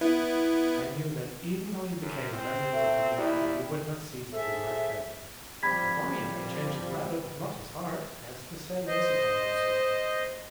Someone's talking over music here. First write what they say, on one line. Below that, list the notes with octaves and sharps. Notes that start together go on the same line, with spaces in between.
"I knew that even though you became a member of the community you would not cease to be my friend; 'A warrior may change his metal, but not his heart,' as the saying is upon Barsoom."
B3 E4
F#2
C4
A3
D#2 G3 E4
G#4 A4 C5 E5
F3 G3 C4 B5 G#6 B6
C5 D#5